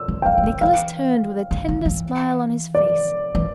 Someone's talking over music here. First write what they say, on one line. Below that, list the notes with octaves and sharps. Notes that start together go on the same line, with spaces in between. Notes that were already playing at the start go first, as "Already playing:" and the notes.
Nicholas turned with a tender smile on his face.
Already playing: E6
D3
G5
E3 F5
E3
D3
E3 F5
D3
D3
E3
D5
E3